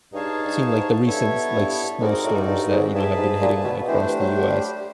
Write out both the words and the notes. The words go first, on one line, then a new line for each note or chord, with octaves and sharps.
seen, like, the recent s like, snowstorms that, you know, have been hitting across the US.
G2 D#4 G#4 C#5 F5 A5
G2
G#2
G2 B3 E4 A4 C#5
G2
G#2 C4 D#4 F#4 A#4 D5
A2
G2
G#2
G2 G#4 B4 E5 A5
G#2
A#2
B2
E3 A3 D4 G4 C5
F#3
G3